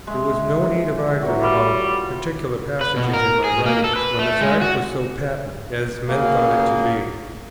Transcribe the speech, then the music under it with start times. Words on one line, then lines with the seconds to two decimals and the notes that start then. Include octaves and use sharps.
There was no need of arguing about particular passages in my writings, when the fact was so patent, as men thought it to be.
0.07 G#3 E5
1.22 E3 F#3 F#4
1.43 G3 F4
2.81 B4
2.96 B2
3.14 A#4
3.44 G#4
3.66 A#3
3.84 A4
3.96 B4
4.19 A3
4.41 G#3
4.61 F#4
6.09 C#3 F#3 A#3